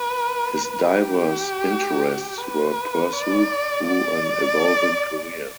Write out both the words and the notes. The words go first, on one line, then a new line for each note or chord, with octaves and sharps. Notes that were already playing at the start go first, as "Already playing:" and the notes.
His diverse interests were pursued through an evolving career.
Already playing: B4
G4
B4
D5
D5